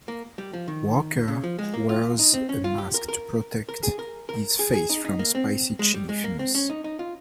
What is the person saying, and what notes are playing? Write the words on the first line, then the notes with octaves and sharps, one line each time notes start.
Worker wears a mask to protect his face from spicy chili fumes.
A#3
G3
F3
D#3
C#3
F3
G#3
A#3
F4
D#4
C4
C#4
F4
G4
A#4
A#4
A#4
G#4
A#4
A#4
G#4
G#4
D#4
D#4
A#3
C4
G#3
G3
G#3
A#3
C4
C#4
D#4
D#4
F4